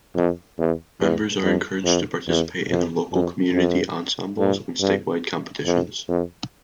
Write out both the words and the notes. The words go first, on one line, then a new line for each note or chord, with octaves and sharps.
Members are encouraged to participate in local community ensembles and statewide competitions.
F2
E2
E2
F2
F2
E2
F2
F2
F2
G2
G2
F2
F2